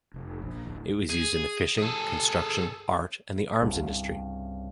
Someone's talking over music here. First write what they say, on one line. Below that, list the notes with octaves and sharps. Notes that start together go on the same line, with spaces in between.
It was used in the fishing, construction, art and the arms industry.
F1
A#1
D1
G#4
G#4 A4
C2 G2 C#3